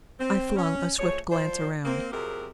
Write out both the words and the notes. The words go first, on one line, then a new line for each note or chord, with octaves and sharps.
I flung a swift glance around.
C4
C#4
F3 A3 G#4 C#5
F3 C5 D5
A#3 C4
F2 C3 F#3 G4 G#4 A#4